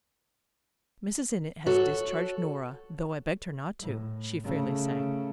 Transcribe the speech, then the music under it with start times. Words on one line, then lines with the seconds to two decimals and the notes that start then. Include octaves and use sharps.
"Mrs. Innitt has discharged Norah, though I begged her not to," she fairly sang.
1.67 F#4 A4 C#5
3.80 A2
4.44 C#3 A3